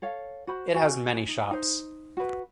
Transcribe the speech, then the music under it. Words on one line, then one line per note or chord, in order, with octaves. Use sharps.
It has many shops.
A4 C#5 F5
F#4 C5 B5
F#4 G#5
D#4
D#4 C5
F#4 B4